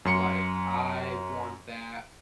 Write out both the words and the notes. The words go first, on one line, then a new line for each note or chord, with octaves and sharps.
like, "I want that
F#2 C6 C#7